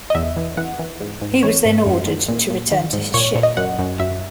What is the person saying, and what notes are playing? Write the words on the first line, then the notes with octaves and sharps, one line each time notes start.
He was then ordered to return to his ship.
D#5
E2 E5
E3
E3 F#5
E3
G#2
G#2
E3 C#5
G#2
F#2
D#3
A#2
A#2
D#3
G#2
A#2 C#5
A#2
D#5
F#2 F#5
F#2
F#2 E5